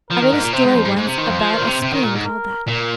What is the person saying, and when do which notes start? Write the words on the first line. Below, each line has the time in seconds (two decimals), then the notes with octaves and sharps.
I read a story once about a spring called that.
0.10 F3 A#4
0.22 D#3
0.32 G#2
0.43 A#2
0.53 C3 C5
0.64 G#2
0.75 F2
0.85 G#2
0.96 G#2 C5
1.07 C3
1.18 D#3
1.28 F2
1.39 F3
1.54 D#3
1.61 A#2
1.68 C3
1.82 C3
1.93 D#3
2.03 A#2
2.14 G#2
2.25 A#4
2.68 A#2